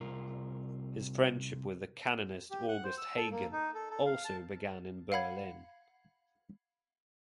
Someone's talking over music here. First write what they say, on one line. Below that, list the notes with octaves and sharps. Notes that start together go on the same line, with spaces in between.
His friendship with the canonist August Hagen also began in Berlin.
C2 F4 A#4
G4
F#5
C5
E6
A4
A#3
D#4
A4
A4
F5
A5
F5 F#5 B5 G#6